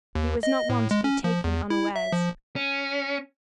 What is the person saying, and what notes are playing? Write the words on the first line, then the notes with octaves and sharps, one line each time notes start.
He was not one to be taken unawares.
D#2
D#5
A2
G#3
C#4
F3
E2
E4
E5
F3
C#4